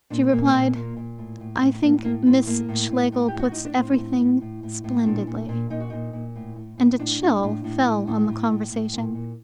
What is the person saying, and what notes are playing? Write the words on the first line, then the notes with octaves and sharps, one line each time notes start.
She replied: "I think Miss Schlegel puts everything splendidly"; and a chill fell on the conversation.
A#2 D4
A#2 A#3
C4
A#2 A#3
A#2
A#2
A2
A2
A2
A2 A#3
A2 A#3
A2 C4
A2 A#3
A2
A2
A2
G4
A2
F#4
A2 D#4
D4
A2 C4
A2
A2
A2
A2
A2
A#2 D4
A#2
A#2
A#2 D#4
F#4
A#2 D#4
A#2
A2
A2
A2
A2 D4
A2
A2
A2
A2
A2
A2
A2
A2
A#2
A#2